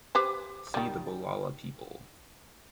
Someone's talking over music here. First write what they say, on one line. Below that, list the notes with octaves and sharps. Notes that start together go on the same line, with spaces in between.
See the Bulala people.
G4 B4 C5
D#3 G3